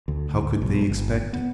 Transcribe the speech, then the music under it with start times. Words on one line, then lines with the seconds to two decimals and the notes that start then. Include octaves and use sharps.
How could they expect it?
0.08 D2
0.35 D2
0.62 B1
0.90 G1
1.33 B3